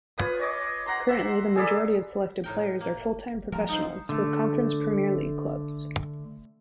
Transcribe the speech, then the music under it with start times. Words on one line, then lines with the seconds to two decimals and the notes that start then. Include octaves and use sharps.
Currently, the majority of selected players are full-time professionals with Conference Premier league clubs.
0.18 F4 B4 C#5 D#6
0.39 C#5 D#5 D6
0.86 F#5 A#5 C6
1.09 E5 F#5 C6
1.55 G#4 A4 D5 B5
2.44 A2 A#4 G5
2.81 A#3
3.52 F3 G3 A#4
3.69 D#4 A4 C5
4.09 D3 A3